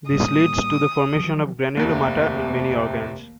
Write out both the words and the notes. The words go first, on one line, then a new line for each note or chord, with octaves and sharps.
This leads to the formation of granulomata in many organs.
A2 G3 A#3 D#6
D#3 F3 F#3
F1 D#2 C3 A#3